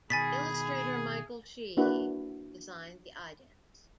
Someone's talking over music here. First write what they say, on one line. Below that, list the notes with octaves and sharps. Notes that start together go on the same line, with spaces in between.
Illustrator Michael Sheehy designed the idents.
B2 D#3 G#4 G#5 B5 A6 B6
A#3 D4 E4 F#4 B4